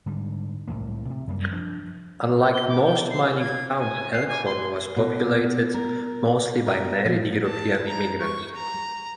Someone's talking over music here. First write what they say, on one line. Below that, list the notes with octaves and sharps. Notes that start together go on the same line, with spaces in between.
Unlike most mining towns, Elkhorn was populated mostly by married European immigrants.
G#2 D3 G3
C2 F#2 A2 A#3
C3
F#2 G3 A#3
F3 D4
G6
G7
D6
G5
C7
E6
G#6
G#5
C7
G#5
C6
B2
A#4
A#4
F3
A5
A#5
C#6
A#5